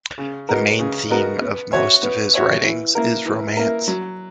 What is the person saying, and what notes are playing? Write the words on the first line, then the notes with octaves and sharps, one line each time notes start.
The main theme of most of his writings is romance.
C#3
G#3 B3 F#4 A#4
C#3
G#3 B3 F#4 A#4
B3
F#4 C#5 E5
B3
F#4 C#5 E5
E3
A#3 E4 A#4
E3
A#3 E4 A#4
F#3